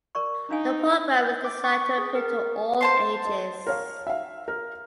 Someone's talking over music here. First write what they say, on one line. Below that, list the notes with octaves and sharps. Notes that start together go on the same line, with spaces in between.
The program is designed to appeal to all ages.
A#4 D5 C#6
D4 D#4 F5 G#5
G6
D6
C#6
G#4
A#4
C5 A5 C6
D#5
A#4 C#5 F5
E5 F5
A#4